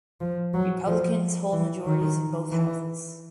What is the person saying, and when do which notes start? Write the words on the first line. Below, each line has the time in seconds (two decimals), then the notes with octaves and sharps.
Republicans hold majorities in both houses.
0.21 F3
0.54 F#3
0.87 F3
1.52 E3
1.86 D#3
2.52 E3